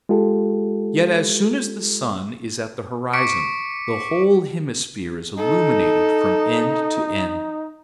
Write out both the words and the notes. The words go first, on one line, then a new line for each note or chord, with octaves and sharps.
Yet as soon as the sun is at the horizon, the whole hemisphere is illuminated from end to end.
G#3 F4 G4 A4
C#6 D6 B6 C#7 D7
D#4 A4